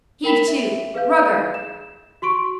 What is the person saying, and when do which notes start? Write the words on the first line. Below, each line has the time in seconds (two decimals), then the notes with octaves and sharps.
Heave to. Rugger.
0.24 A#4 G5 B5 B6 E7
0.48 E5
0.94 G#4 B4 F5 G6
1.54 E7
2.22 F#4 C6 C#6 D7